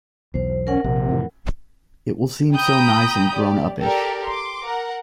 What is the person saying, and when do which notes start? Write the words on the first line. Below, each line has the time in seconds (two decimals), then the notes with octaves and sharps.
It will seem so nice and grown-uppish.
0.34 B1 E2 C5
0.67 C#4 A#4 F#5
0.84 A#1 C3
1.09 F2 A2 E3
2.54 G5 A#5 B5 D#6 G6
3.35 G4 D5
3.79 G4 A4 A#4 D5
4.26 C6 D6
4.63 A#4 F#5